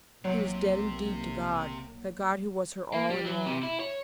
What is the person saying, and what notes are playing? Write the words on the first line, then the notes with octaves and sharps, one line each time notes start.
He was dead indeed to God--that God who was her All in All.
B1 C3 F#3 A#3
A#3
G3
F#3
C3
E4
C#5